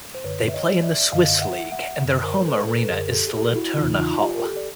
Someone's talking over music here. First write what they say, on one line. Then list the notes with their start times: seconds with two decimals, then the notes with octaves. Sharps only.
They play in the Swiss League and their home arena is the Litterna Hall.
0.15 C5
0.24 F#2 D3 B4 C#5
0.49 E5
0.54 C#5 D#5
0.83 D5 E5
1.13 F#2 D3 D#5 F5
1.41 E5 F#5
1.72 E5 F#5
2.01 F#2 D3
2.23 A#4 C5
2.39 C5
2.46 A4 B4
2.62 C5
2.67 A4 B4
2.79 B4
2.89 F#2 D3 G#4 A#4
3.12 G4 A4
3.27 G#4
3.34 G4 A4
3.56 E4 F#4
3.78 E2 C#3 E3 D#4 F4
4.00 D#4 F4
4.18 F#4
4.22 F4 G4
4.35 A#4
4.44 G4 A4
4.56 D5